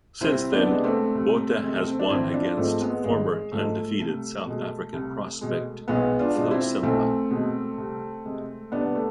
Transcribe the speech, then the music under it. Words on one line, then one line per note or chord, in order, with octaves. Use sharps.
Since then, Botha has won against former undefeated South African prospect Flo Simba.
C2 C4 E4
B3 D4
C3 G#3
A3 C4
C2
C3 G#3
C4
D4
G#1 C4 E4
D4 F4
G#2 F3 G#3 A3 C4
G#3 B3
G#1 G#3
G#2 F3 G#3 A3
C2
B2 G#3
C2
B2 G#3
B1 G#3 B3
D4 F4
B2 G#3
C4 E4
B1 A3 C4
B2 G#3
C2
C3 G#3
C2 B3 D4
A3